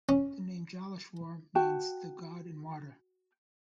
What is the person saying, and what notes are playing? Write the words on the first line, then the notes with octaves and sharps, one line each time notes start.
The name Jaleshwar means the 'God in Water'.
C#4
F#4 G5 A5